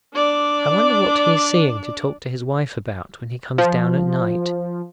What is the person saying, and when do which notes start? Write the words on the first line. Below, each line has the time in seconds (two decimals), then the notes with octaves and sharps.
I wonder what he is seeing to talk to his wife about when he comes down at night?
0.14 D4 D5
3.58 F3